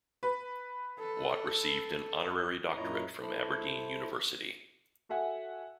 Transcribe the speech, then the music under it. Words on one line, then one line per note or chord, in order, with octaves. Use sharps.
Watt received an Honorary Doctorate from Aberdeen University.
B4
A4
F#2 A#2 E4 C#5 D#5 A#5
E4 A4 C5
F#4 A4 E5 F#5 G#5